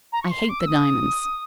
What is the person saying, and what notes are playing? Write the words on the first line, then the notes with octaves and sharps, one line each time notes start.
I hate the diamonds.
A#5
C#6
C6
D6
E6
D#6